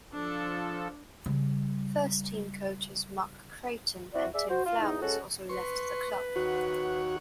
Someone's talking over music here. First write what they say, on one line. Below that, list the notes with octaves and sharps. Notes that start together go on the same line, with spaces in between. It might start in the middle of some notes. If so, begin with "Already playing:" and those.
First team coaches Mark Creighton and Tim Flowers also left the club.
F3 D4 A4
C#3 G3
C4 E4 F#4 D5
G#4 D5 E5
F#4 C5
F4
E2 D#4
G#3 C#4 F#4 A4
B4 C6 C#6
D#2 F#4 C#5 F#5